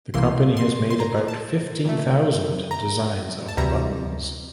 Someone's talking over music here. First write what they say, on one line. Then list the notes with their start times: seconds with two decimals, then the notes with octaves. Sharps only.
The company has made about fifteen thousand designs of buttons.
0.14 C2 C3 E3 A#3 C6
0.57 C6
0.90 C6
1.00 A#5
1.28 A5
1.85 A#2 A3
2.71 A#5
3.48 A5
3.57 D2 C3 E3 G3 A#5